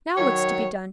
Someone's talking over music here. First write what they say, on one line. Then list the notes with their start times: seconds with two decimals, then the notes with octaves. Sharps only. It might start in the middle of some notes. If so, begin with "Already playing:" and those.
Now what's to be done?
0.17 D#3 F#3 C#5